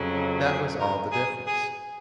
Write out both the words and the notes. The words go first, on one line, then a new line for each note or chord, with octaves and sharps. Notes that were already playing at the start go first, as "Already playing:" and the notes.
That was all the difference.
Already playing: F2 C#3 F#3
G#4
A#4
G#4
G#4